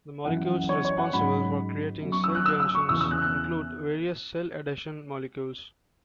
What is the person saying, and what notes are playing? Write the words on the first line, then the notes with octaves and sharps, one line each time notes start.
The molecules responsible for creating cell junctions include various cell adhesion molecules.
F#2 E3 C#4 F#5
C#5
C#5
F#5
G#2 F#3 C#4 B5
F#2 F#3 C#4
C#6
E6
F#6
E6
E6
C#6
E2 C#3 E3 E6
E6
F#6
F#6